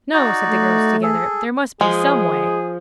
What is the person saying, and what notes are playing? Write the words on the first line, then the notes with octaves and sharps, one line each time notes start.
'No,' said the girls together, 'there must be SOME way.'
D#4 F#4 D5
A3
G#4 A4
F3 G#3 G#4